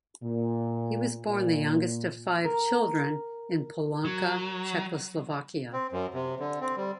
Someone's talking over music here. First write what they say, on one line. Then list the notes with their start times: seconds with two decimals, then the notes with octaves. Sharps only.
He was born the youngest of five children in Polanka, Czechoslovakia.
0.23 A#2
1.26 A#2
2.44 A#4
4.05 F#3
5.73 C4
5.92 F#2
6.14 C3
6.40 D3
6.61 C4
6.77 G3